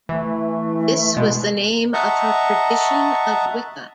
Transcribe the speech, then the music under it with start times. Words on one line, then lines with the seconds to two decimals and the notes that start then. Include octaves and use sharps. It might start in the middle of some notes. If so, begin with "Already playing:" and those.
This was the name of her tradition of Wicca.
0.09 E3 A3
1.17 B2 G#3
1.94 D#5 E5 F#5 A5 A#5 C#6